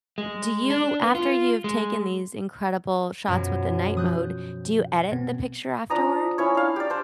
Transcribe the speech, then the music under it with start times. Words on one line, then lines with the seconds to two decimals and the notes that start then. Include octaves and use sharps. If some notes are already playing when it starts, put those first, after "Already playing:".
do you after you've taken these incredible shots with the night mode, do you edit the picture afterward?
0.18 G#3
0.70 D4
1.02 B3
1.15 F4
1.64 G#3
3.28 F#2 B2 F3
3.97 F3 D#6 F#6 G6
5.12 B2 B3 C4
5.90 F3 D4 A#5 D#6
6.38 C#4 E4 C#5
6.55 D4 F5
6.76 G4 D5
6.90 D4 C5